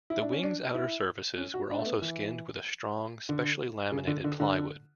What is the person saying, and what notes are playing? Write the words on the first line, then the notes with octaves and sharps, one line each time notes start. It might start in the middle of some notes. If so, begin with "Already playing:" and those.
The wings' outer surfaces were also skinned with a strong, specially laminated plywood.
E4
D4
C#4
D4
E4
C#4
F#4
D4
A3
B3
E3
D3
C#3
D3
D3
D3